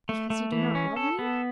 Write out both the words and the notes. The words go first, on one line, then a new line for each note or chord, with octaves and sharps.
"Because you do not love me?"
A3
A3
E3
C#4
A4
B3